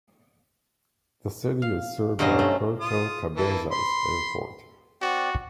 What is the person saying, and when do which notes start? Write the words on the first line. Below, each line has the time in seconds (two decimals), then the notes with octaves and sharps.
The city is served by Puerto Cabezas Airport.
1.62 F5
2.19 G2 B2 F#3 C#4 C5 D#5
2.39 A3
2.80 F4 D#6
3.36 E3 A#3 A4
3.71 B5 C6
5.02 C4 F#4 D5